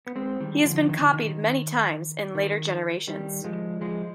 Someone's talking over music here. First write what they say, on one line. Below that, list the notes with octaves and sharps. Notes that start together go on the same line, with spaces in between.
He has been copied many times in later generations.
B3
G#3 C4
D#3 G3
D3 F3
D#3
D3
D#3
D#3
D#3 G3
F3 G#3
F3 G#3